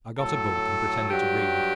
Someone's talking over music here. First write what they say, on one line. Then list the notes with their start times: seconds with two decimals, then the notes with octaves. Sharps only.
I got a book, and pretended to read.
0.19 A2 F#3 A4
1.10 G2 F#3 G4